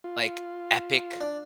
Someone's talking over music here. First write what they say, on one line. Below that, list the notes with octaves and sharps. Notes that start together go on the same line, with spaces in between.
like, epic
F4
D4